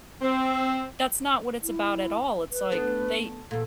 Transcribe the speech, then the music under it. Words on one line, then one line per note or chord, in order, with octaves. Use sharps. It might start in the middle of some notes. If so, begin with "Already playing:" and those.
that's not what it's about at all, it's, like, they
C4
E4
B4
A3 B3 D4
E2 A#2 A4